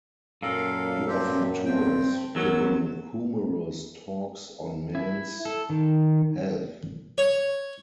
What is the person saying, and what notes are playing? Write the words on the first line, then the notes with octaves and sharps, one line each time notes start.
He often tours giving humorous talks on men's health.
F#2 A#2 A4 F5
G2 C4 G4
G2 C4 G5
E2 F#3 A#4 E6
E4
A4
D#3
C#5